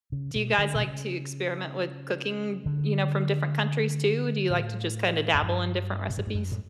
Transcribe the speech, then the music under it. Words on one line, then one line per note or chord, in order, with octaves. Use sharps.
do you guys like to experiment with cooking, you know, from different countries, too? Do you like to just kinda dabble in different recipes?
C#3
B2
D3
B2
C#3
D3
A2
F#2
G2
B2
A2
G2
F#2
A2